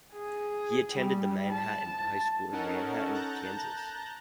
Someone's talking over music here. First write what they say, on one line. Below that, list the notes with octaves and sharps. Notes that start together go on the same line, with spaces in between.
He attended the Manhattan High School in Manhattan, Kansas.
G#4
G3
A5
C#4 D#4 A4 A#4 F#5 A5
A5 A#5 F#6 G6 A6 A#6